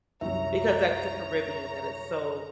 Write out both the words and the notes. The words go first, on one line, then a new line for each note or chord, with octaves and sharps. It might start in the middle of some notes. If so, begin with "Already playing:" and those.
because that's the Caribbean, that it's so,
C2 F#2 C#5 E5 A#5